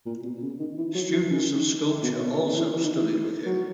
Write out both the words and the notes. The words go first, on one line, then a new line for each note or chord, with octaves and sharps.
Students of sculpture also studied with him.
A#2
B2
C#3
D#3
E3
F#3
E3
D#3
B2
B2
D#3
E3
E3
D#3
E3
F#3